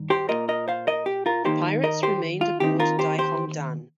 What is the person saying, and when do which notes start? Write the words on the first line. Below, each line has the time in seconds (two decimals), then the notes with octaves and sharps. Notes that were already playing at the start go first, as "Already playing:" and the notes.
The pirates remained aboard "Dai Hong Dan".
Already playing: G2 D#3
0.10 G4 C5
0.29 A#2 A#3 F4 A#4 D#5
0.49 A#4 D#5
0.68 C5 F5
0.87 A#4 D#5
1.06 G4
1.26 F4 A#4
1.45 D#2 D#3 A#3 D#4 G4 C5
1.84 A#4 D#5
2.03 G4 C5
2.41 F4
2.60 D#2 D#3 C4 D#4 G4
2.80 F4 A#4
2.99 G4 C5
3.18 G4 C5